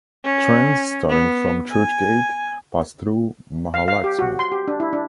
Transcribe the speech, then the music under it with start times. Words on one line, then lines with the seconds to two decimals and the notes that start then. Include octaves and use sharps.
Trains starting from Churchgate pass through Mahalaxmi.
0.25 C#4
1.09 B3
1.72 G#5
3.74 F5
3.88 F5
4.04 G4
4.19 F#4
4.39 C6
4.52 G4
4.68 D4
4.80 E4
4.93 D4